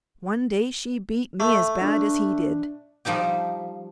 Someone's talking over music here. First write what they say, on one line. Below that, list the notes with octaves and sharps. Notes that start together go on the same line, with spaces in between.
One day she beat me as bad as he did.
A3
D4
F3 G3 D#4 G4